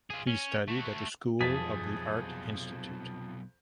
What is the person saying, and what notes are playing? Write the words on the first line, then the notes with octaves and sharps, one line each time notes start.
He studied at the School of the Art Institute.
F4 G#4
C#4
A3 F#4
B1 F2 C3 G#4 A5 B6